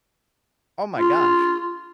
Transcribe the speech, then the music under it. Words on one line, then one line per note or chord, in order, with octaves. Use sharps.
Oh my gosh.
F4